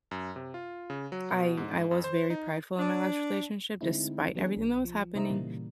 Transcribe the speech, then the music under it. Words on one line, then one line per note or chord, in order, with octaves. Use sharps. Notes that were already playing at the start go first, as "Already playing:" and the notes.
I I was very prideful in my last relationship, despite everything that was happening,
F#2
C3
F4
C#3
F#3
B2
G#2
F2
C5
D#4
D4
D3 G#3 A3 C4 D#4 E4
E3 F#3 B3 D4 G#4
B1
F3
C3 D#4 C5 D#5 E5 A#5
A#2 C#3 E3 G3 A#3